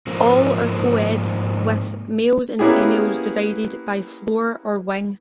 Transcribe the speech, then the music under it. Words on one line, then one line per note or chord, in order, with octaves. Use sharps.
All are co-ed, with males and females divided by floor or wing.
G#2 F3 A#3 C4
A#3 B3 C#4 E4 G4 G#4